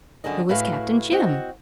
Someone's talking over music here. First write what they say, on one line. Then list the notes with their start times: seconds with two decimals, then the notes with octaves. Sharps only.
"Who is Captain Jim?"
0.24 F#2 D3 G3 G#4 D#5
0.49 A2 E4 F#4 G#4 B4 F5
1.11 C4 F#4 D#5 F#5